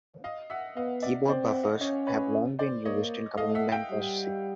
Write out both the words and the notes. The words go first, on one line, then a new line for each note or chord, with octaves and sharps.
Keyboard buffers have long been used in command-line processing.
D#5 F5
E5 F#5
B3 D#5 F5
D5 E5
C4 C5 D5
E5 F#5
D#5 F5
C#4 C#5 D#5
B4 C#5
C5 D5
A#3 C#5 D#5
A3 D#5 F5
E5 F#5
F5 G5
G3